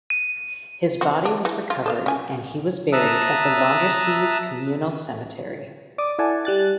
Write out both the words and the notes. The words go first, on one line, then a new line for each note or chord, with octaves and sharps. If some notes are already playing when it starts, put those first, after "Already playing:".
His body was recovered and he was buried at the Landrecies Communal Cemetery.
D#7
C4 F#4
D4
E3
F4
A4 D#5 F5
C#4 G#5
E5 A5 A#5 D#6 E6 F#6
D5 D6 D#6
E4 A4 D5 F#5 G#5 A5
G3 F#6 A6